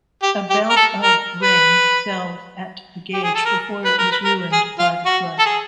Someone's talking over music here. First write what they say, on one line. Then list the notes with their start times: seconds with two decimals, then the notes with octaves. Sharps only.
About of rain fell at the gauge before it was ruined by the flood.
0.22 G4
0.50 G4
0.70 A#4
0.76 A4
1.03 A#4
1.43 B4
3.14 G4
3.24 G#4
3.35 A4
3.45 A#4
3.85 B4
3.98 A#4
4.12 B4
4.25 A#4
4.53 G#4
4.79 F4
5.06 F#4
5.39 A4
5.45 G#4